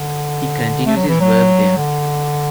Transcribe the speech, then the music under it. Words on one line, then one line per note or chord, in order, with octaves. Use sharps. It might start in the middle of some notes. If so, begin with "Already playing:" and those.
He continues his work there.
Already playing: D3
A3
F#3
E3
F#3
D3